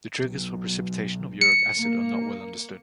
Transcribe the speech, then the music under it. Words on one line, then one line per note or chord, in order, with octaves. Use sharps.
The triggers for precipitation of uric acid are not well understood.
B1
C#7
A#3